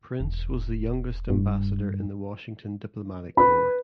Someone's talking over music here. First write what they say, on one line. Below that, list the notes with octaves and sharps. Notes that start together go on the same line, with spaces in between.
Prince was the youngest ambassador in the Washington diplomatic corps.
E1
G2
B4 B5